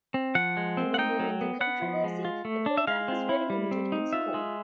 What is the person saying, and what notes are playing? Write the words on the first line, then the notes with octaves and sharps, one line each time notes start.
Even during the controversy, the program was very limited in scope.
C4
F3 F#5
G#3
C4
F#5
D#4 G5
F#3
B3
B3 F#5
F3
G#3
F4
A3
D4
E5
G#3 F5
C4
E4
G3
C4
D#4
F4 E5
G#3